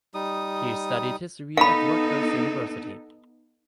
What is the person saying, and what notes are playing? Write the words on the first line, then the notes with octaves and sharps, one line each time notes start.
He studied history at Rutgers University.
G3 D#4 D#6
B3 D#4 A4 F5 B5